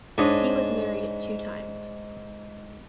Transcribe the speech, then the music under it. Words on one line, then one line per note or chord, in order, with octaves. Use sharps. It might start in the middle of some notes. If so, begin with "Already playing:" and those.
He was married two times.
G#2 D4 C#5 D#5